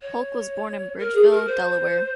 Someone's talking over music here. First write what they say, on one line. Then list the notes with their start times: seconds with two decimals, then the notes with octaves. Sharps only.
Polk was born in Bridgeville, Delaware.
0.01 C#5
0.98 A#4
1.14 G#4
1.30 A#4
1.46 C5